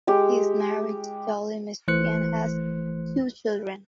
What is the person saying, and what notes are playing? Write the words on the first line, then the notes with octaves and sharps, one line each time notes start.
He is married to Dolly Misri and has two children.
G#3 G4
G1 E3 A3 C5 F#6 C#7